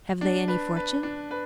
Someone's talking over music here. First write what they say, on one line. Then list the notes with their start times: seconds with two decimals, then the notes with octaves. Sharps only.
"Have they any fortune?"
0.21 D4
0.48 B4
0.76 B4
1.03 D4
1.31 B4